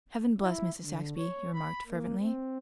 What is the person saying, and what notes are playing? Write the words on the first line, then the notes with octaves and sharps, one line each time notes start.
"Heaven bless Mrs. Saxby," he remarked fervently.
E4
D3
C#5
B5
A#3
C4